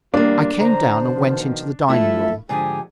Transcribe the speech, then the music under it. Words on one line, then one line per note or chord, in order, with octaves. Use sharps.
I came down and went into the dining room.
E2 G3 A#3 D4 F4
F2 D3 C5 A#5
B2 D#3 F3
D3 F3 A3 E4 F4 A4 E5
G#2 D3 F3 G4 G#4 G#5